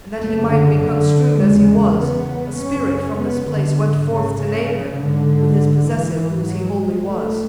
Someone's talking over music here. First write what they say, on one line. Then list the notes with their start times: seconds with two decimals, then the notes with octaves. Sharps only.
And that he might be construed as he was, A spirit from this place went forth to name him With His possessive whose he wholly was.
0.18 F#2 C#3 A3
0.49 D3
0.78 D3
1.38 E2 C#3 G#3
1.98 B3
2.58 F#2 C#3 C#4
3.19 B3
3.48 D3
3.79 G#2
4.09 C#3
4.39 C#3
4.99 G#2 D3
5.88 E3
6.19 G#2
6.48 F#3
6.78 G#3
7.08 A3